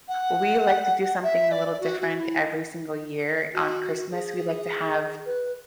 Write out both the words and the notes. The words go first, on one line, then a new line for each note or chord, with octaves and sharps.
We like to do something a little different every single year on Christmas. We like to have
F#5
E5
D5
F#4
F#4
E4
F#4
G#4
B4